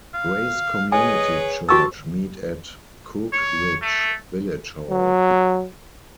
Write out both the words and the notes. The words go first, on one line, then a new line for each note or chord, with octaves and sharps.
Grace Community Church meet at Cookridge Village Hall.
F5
G#4 B4 C#5 D#5 G#5
F#4 G4 A5 C#6 E6
C#5
A3
F#3